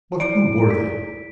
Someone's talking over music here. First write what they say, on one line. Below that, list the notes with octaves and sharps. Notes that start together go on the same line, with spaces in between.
But who were they?
E4 D5 D7
B6